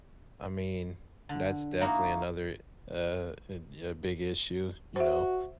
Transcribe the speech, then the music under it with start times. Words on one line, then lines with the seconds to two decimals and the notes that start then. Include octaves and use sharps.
I mean, that's definitely another, uh, a a big issue, you know,
1.29 D3
1.81 A#3 D#4 E4 F#4
4.96 F#4 C5 E5